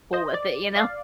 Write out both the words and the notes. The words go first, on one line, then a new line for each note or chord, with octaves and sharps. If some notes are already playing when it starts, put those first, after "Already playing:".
full with it, you know?
C5 D#5
D5
D5 F5